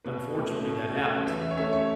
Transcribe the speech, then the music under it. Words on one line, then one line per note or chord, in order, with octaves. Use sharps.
unfortunately, that happens a lot,
B2 B4
A3 C#4
B2
A3 C#4
E3 E5
E5
C#5
A3 C#4 E5
C#5